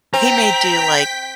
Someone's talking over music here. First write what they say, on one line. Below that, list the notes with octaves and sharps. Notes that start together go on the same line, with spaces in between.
he may do, like,
C4 G5 A#5 B6